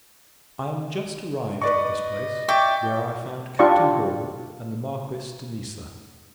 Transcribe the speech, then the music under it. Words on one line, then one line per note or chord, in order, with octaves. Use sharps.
I am just arrived off this place; where I found Captain Ball, and the Marquis de Niza.
B4 D5 D#5 C#6
D5 E5 G5 C#6
D4 F4 G4 D5 C#6